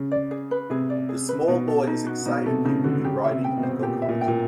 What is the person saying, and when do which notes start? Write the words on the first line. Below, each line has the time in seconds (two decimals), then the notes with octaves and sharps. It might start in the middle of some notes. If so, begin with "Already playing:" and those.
The small boy is excited he will be riding a gocart.
Already playing: C#3
0.11 D5
0.31 G#4
0.51 B4
0.70 C3 G#4
0.90 D5
1.09 G#4
1.29 B4
1.48 B2 D#4
1.68 A4
1.87 D#4
2.07 F#4
2.26 B2 D#4
2.46 C3 A4
2.65 C#3 D#4
2.84 D3 F#4
3.04 C#3 G4
3.24 E5
3.31 C3
3.44 G5
3.57 B2
3.63 C5
3.82 A#2 G4
4.02 E5
4.09 A#2
4.21 G5
4.28 A#2